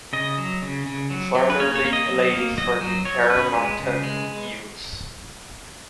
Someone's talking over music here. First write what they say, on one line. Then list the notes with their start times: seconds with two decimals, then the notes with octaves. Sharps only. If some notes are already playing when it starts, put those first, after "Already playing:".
He formerly played for the Parramatta Eels.
0.13 C#3 D#5
0.38 F#3
0.62 C#3
0.86 C#3
1.10 F#3
1.35 F#3
1.50 B4
1.60 A#3 C#5
1.76 C#5
1.84 A#3
1.93 D#5
2.08 F#3
2.33 A#3
2.57 F#3 D#5
2.81 F#3
3.05 F#3 C#5
3.30 C#4 B4
3.55 G#3
3.79 C#3
4.03 G#3